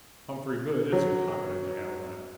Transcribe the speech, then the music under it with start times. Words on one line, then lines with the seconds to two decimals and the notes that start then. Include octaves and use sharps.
Humphrey Goode isn't competent to handle that.
0.92 F#3